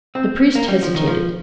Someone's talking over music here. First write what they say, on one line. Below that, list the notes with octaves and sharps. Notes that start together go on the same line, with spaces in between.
The priest hesitated.
C4
A#3
G3
F3
D#3
F3